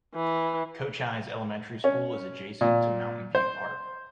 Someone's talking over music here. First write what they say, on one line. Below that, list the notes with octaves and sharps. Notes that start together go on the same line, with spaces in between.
Cochise Elementary School is adjacent to Mountain View Park.
E3
C#4
A#2
C5